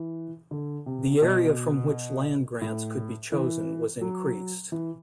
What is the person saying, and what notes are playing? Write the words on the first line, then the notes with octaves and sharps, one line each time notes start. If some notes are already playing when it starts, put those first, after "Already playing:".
The area from which land grants could be chosen was increased.
Already playing: E3
D3
C3
B2
A2
E3
F#3
E3